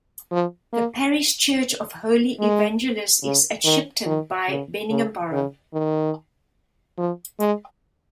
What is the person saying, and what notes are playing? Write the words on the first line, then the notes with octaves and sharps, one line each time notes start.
The parish church of Holy Evangelists is at Shipton by Beningbrough.
F3
A#3
G#3
C#3
D#3
D#3
C#3
C#3
C#3
D#3
F3
G#3